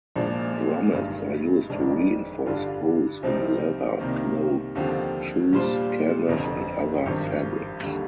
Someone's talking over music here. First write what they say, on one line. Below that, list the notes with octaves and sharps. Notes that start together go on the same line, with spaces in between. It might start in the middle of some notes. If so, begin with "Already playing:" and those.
Grommets are used to reinforce holes in leather, cloth, shoes, canvas and other fabrics.
A#1 A#2 F3 G#3 D4
G1 G2 D#3 G#3
G1 F2 D#3 G#3 D4
G2 D3 G3 D4 F4
C2 C3 F3 C4 D#4
C2 C3 D#3 A#3
D#2 D3 F3 C4 G4
A#2 G3 D4 F4 C5
G1 F2 D3
G#1 G2 F3
D#2 D3 G3